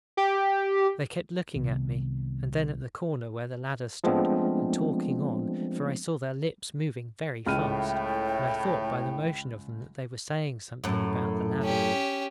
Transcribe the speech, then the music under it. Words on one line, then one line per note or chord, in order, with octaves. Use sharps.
They kept looking at me, and then at the corner where the ladder stood, and talking on, for I saw their lips moving very fast; and I thought by the motion of them that they were saying something about the ladder.
G4
C2 C3 D#3 B3
F3 G#3 A3 B3 C4 D4
C#2 A2 G5 F6 D#7
F#2 A2
C#4 G4